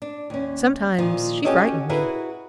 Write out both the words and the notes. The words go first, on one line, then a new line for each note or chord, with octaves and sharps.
Sometimes she frightened me.
D4
D#2 C#4
A#2 D#3 F3 F4
C#4 F#4 G4 A4 C#5 D#5
E4 F#4 G#4 A#4 B4 E5